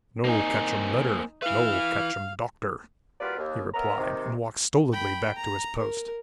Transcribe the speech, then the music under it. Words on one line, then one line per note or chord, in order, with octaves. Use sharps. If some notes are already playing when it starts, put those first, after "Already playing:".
"No ketchum letter, no ketchum Doctor," he replied, and walked stolidly back to his post.
A#3 C4 D#4 G#5
E4 B4 F5
G3 A#3 F4 F#4 B4 D5
D#2
B3 C#4 A#4 E5 A#5
C3 D#3
G5 B5
A#5
A#4